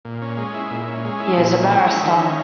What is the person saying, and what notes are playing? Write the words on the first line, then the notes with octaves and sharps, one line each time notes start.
He is a barrister.
A#2
C#4
G#3
E4
A#2
C#4
G#3
E4
A#2
C#4
G#3
E4
D#3
C#4